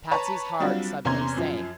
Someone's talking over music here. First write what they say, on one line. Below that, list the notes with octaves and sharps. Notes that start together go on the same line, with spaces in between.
Patsy's heart suddenly sank.
B4 C#5 A5 A#5 C#6
F#3 G3 C4 D4 F4 F#4
E2 C3 C#4 A#5 C6 G#6
F#2 F3